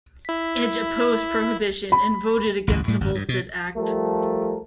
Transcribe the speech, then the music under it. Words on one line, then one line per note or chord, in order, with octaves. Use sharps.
Edge opposed prohibition and voted against the Volstead Act.
E4 B6
B5
A1 D2 G#2
A2 G3
G#1 F#2
G2
B2
F3 G3 A3 A4 A#4